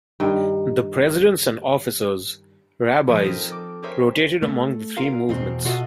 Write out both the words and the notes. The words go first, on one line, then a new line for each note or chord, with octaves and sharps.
The presidents and officers, rabbis, rotated among the three movements.
G2 D#3
A#2 F3 A4 B4 C5 D#7
C4 D#4 F4 A4 A#4
A4 D6
G4 G#4 A#4 C5 C#5 E5
A3
F4 A#4 F5
E2 B2 C4
B2 F4 F#4 A4 D#5 E5